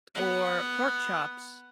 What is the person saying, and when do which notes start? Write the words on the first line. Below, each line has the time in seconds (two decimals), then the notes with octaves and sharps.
or pork chops.
0.15 B3 F#5